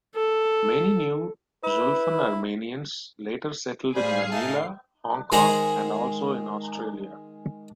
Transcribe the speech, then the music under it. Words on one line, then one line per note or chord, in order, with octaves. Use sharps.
Many New Julfan Armenians later settled in Manila, Hong Kong, and also in Australia.
A4
E4 B4
A2 G3 G#4 C5 D5 F5 B5 C7
D#4 A4 E5 A5
D#3 G#3 G#4 C5 F#5 A#5